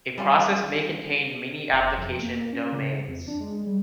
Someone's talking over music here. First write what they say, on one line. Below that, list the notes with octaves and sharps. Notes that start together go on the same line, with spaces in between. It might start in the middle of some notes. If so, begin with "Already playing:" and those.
A process may contain many application domains.
G3 C#4 F4
F1
F2
A#3
C#4
C#3
F2
D4
G#3
G3